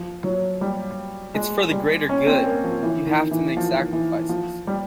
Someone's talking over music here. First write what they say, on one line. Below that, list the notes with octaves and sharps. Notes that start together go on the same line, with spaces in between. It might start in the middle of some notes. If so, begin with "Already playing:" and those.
It’s for the greater good, you have to make sacrifices.
Already playing: F3
F#3
G3
G#3
G3
C#4
C4
A#3
F3
E3
D#3
E3
F3
E3
F3
G3